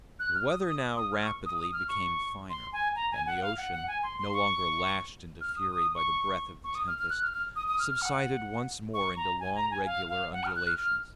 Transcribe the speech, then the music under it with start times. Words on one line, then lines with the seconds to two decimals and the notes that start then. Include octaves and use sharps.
The weather now rapidly became finer, and the ocean, no longer lashed into fury by the breath of the tempest, subsided once more into long regular undulations.
0.19 F#6
0.35 F6
0.50 D#6
0.65 D#6
0.97 D#6
1.12 F6
1.23 C#6
1.46 D#6
1.58 D#6
1.73 F6
1.88 C#6
2.50 C6
2.73 G#5
2.96 A#5
3.12 G#5
3.27 F#5
3.41 F5
3.57 F#5
3.72 F#5
3.87 G#5
4.03 C6
4.18 C6
4.34 C#6
5.41 F6
5.56 D#6
5.72 D#6
5.95 C#6
6.64 C#6
6.75 D#6
6.88 F6
6.98 F6
7.10 F#6
7.22 F6
7.33 F6
7.56 D#6
7.68 D#6
7.79 F6
7.90 F6
8.02 F#5
8.94 C#6
9.17 A#5
9.40 G#5
9.55 A#5
9.71 G#5
9.86 F5
10.09 F5
10.33 F#5
10.44 F6
10.56 F#6
10.67 F6
10.79 F6